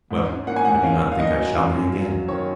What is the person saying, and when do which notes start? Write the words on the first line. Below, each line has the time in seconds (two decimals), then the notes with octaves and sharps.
Well, I do not think I shall be again.
0.11 G#2
0.29 C#4
0.47 A#3 F#5
0.56 G#5
0.65 G#2 F#5
0.83 C#4 F5
1.02 C#4
1.12 F5
1.19 A#3 D#5
1.38 F#3
1.55 F#2 F5
1.74 F#2
1.92 F#3
2.11 F#3
2.28 D#3 C#5